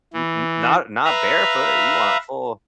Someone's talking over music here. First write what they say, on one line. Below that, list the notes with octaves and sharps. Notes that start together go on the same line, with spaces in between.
N n not not barefoot, you want full
E3
B4 E5 F5 A#5